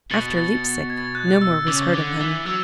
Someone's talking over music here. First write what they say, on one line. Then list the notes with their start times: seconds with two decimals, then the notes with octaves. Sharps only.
After Leipsic no more was heard of him.
0.11 B2 A6 C#7
0.37 A6
0.90 G#6
0.97 A6
1.05 G#6
1.15 F#6
1.42 E6
1.68 C#3 D6
1.94 D3 D6
2.20 E3 D6
2.46 F#3 E6